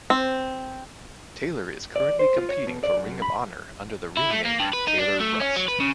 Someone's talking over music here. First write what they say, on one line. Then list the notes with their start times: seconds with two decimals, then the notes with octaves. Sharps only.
Taylor is currently competing for Ring of Honor under the ring name Taylor Rust.
0.10 C4
1.96 D5
2.19 C5
2.36 F4
2.49 C#5
2.67 B2
2.84 D5
2.97 F#2
3.22 B5
4.17 E4
4.30 A3
4.45 A#3
4.60 G2
4.73 B4
4.88 D#4
4.99 D4
5.21 A3
5.40 C#4
5.57 F#3
5.68 B4
5.80 C#3